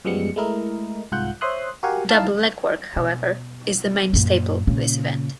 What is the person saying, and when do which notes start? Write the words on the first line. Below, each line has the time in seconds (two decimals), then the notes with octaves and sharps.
Double leg work however, is the main staple of this event.
0.05 F#2 F3 G3 G#3 B3 C#7
0.36 G#3 A3 E4 A#4 D#5
1.12 C2 G#2 F4 F#5 F#6 G6
1.41 C5 C#5 E5 C6 D#6 F#6
1.83 F#4 G4 A#4 F5 F#5 G#5
2.09 D#4 E4 F5 A5
2.96 B2
4.13 F#2 A#2
4.67 A#2 C#3